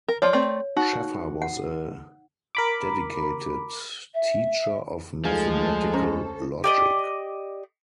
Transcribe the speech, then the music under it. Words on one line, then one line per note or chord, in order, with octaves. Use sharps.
Sheffer was a dedicated teacher of mathematical logic.
A#4
F3 F4 C#5 D5
A3 C4 D5
D#4 F#4
F#5
A#4 B5 D6
E5
D2 F3 G#3 D#4 F4 G#4 A4
C#4 C5 A#5
G4 D5 D#5